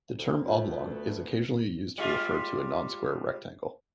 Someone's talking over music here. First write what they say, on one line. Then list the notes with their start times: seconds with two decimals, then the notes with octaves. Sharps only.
The term oblong is occasionally used to refer to a non-square rectangle.
0.18 D2
0.47 A3 B3 F4
1.98 G3 G#3 F4